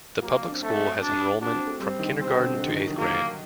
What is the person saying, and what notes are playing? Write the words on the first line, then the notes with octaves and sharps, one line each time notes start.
The public school has enrollment from kindergarten to eighth grade.
F#3 A#3
D4
C4
A3 C4
D4
D4 F#4
C4
A3
G3 C4
D#3
C3 C4
D3
C3
D3
D#3
F#3
D#3
F#3 A#3